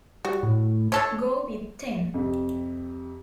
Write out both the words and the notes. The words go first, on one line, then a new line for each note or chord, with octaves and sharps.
Go with ten!
G3 F#4
A2
D4 A4 C#5
F2 C3